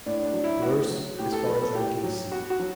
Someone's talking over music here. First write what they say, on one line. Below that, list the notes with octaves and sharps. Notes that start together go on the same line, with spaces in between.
'Worse, as far as I can see.
A2 D4
D4
F#3
E4
A2 F#4
F#3
A2 G4
A4
F#3 B4
A4
A2 G4
F#3
B2 F#4
F#4
F#3